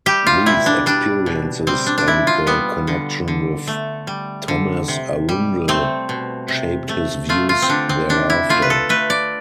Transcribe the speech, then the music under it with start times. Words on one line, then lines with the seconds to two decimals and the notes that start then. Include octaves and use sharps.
These experiences and the connection with Thomas Arundel shaped his views thereafter.
0.06 G3 G4
0.26 F4
0.46 B2 E4
0.66 D4
0.86 G3 D4
1.26 B2
1.67 G3 C4
1.86 D4
1.98 D4
2.07 B2 E4
2.27 F4
2.47 G3 B3
2.87 D3
3.28 D3
3.67 A3
4.07 G3
4.48 D3
4.88 C3
5.29 G3
5.68 A3 C4
6.09 B2
6.48 C3
6.89 A3
7.29 A3 F4
7.49 F4
7.62 C4
7.69 D3 D4
7.89 C4
8.09 C3 D4
8.30 E4
8.49 A3 F4
8.62 B4
8.70 A4
8.89 A3 B4
9.10 D5